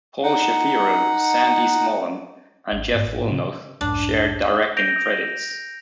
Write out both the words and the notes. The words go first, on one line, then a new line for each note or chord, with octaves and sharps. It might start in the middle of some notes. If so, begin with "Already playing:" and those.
Paul Shapiro, Sandy Smolan, and Jeff Woolnough shared directing credits.
D#4 F#5
G#1
G#2
A1
A2
C#3
B1 F2 G#2 D4
G6 A#6 D7 F7